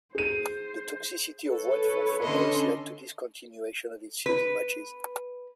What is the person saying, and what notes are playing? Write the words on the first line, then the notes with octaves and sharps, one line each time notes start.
The toxicity of white phosphorus led to discontinuation of its use in matches.
G#4 C5 D#7
A4 B4 C#5
D3 C#4 A4 D#5 C6
B4